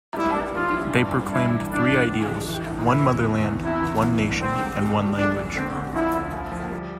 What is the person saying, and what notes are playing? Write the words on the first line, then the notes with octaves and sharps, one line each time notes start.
They proclaimed three ideals, one motherland, one nation and one language.
G3 E4
G3
F3 F4
E4
G2
G2
D4 E4
E3
A2 D4
F3
E3
F2
E3
A2
E3 E4
E2
E3
E2
C3 E4
E3
E3
G2
D3 C4
G3
G2
G2
A#1 D4
A#1
D3 C4
D3
F3 E4
D2
F3
F3
G3